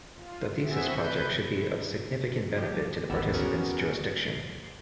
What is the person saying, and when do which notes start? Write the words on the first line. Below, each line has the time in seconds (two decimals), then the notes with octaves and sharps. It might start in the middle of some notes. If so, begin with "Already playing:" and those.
The thesis project should be of significant benefit to the participant's jurisdiction.
0.15 F4
0.64 B3 C4 F#4 G#4 E5
0.97 C3 B4 G6
2.55 F3 G3 G4
3.09 G#1 D#2 B3 G4 A#4 E6
3.34 B3 C#4 F#4 G#4 A#4
4.25 C7